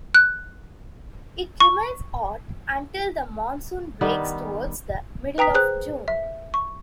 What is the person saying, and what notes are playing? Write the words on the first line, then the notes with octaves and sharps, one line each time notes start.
It remains hot until the monsoon breaks towards the middle of June.
F#6
C#6
D#3 G3 B3
B4 G5 A#5 D#6 B6
G#4 C5 F#6
E5
C#6